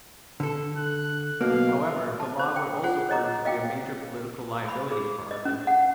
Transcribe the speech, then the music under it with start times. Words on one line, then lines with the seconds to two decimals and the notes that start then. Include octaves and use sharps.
However, the law would also prove to be a major political liability for Arthur.
0.40 D3 A4
0.77 F#6
1.41 B1 B2 A#3 F5
2.20 A5
2.39 C5
2.56 G5
2.83 F4 G#4 C5 F#5
3.09 C5 C#5 D#5 A#5 D6
3.45 D#5 F5 G5 D6
4.69 B5
4.92 G#4
5.31 D#5
5.45 C#4
5.67 F#5